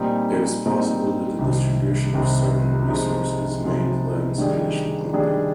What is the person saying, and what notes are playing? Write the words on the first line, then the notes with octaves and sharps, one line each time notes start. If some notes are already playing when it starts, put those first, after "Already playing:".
It is possible that the distribution of certain resources may influence initial clumping.
Already playing: A#2 G3 C4 D#4
A#2 G3 C4 D#4
C2 C3 D#3
C2 C3 D#3
C3 F3 G#3 D#4
C3 F3 G#3 D#4
D#3 G3 D4 G#4
D#3 G3 D4 G#4